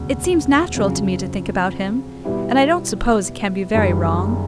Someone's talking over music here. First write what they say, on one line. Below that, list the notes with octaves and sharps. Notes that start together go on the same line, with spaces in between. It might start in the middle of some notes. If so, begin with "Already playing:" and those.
It seems natural to me to think about him, and I don't suppose it can be very wrong.
Already playing: E1 D2 C#3
F2 C#3 F#3
B2 G3 B3 E4 G4
F#1 F#2 D#3 G3